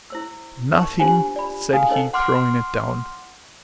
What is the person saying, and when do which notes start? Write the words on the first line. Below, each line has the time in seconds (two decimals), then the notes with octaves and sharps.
"Nothing," said he, throwing it down.
0.10 E4 C5 E6
0.72 D#4 A#4 C5 C#6
1.00 D4 F4 G4 C5 F#5 G#5
1.36 D5 B5
1.73 F#4 G#4 B4 F5 G#5 D#6
1.89 C#4 D#4 A4 A#4 C5 D#5
2.13 F#5 C6 D6 F6